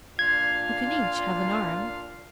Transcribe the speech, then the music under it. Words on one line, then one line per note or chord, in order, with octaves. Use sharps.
"You can each have an arm."
A#2 D4 F4 F5 G#6